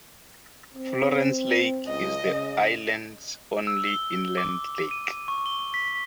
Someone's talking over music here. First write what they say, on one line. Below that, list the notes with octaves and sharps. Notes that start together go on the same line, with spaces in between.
Florence Lake is the island's only inland lake.
C4
C#2 D#5
C#3
E6
G7
D6
D#7
C#6
G7
B6